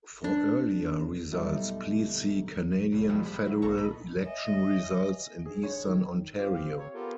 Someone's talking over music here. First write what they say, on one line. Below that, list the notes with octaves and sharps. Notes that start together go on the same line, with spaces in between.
For earlier results, please see Canadian federal election results in Eastern Ontario.
D4
F#2 B2 G3 A3 D#4
C2 B2 F#3
A2 F3 G3 G#3
B5
F#3 E4
B1 A#2 A4 A5 A#5 C#6
D#5 B5
C#5 D#5 E5 G#5
G#4
C#5
D#3
F4 G4 C5 F5
C4 G4 F5
C#5
B3 F4 G4 A4 A#4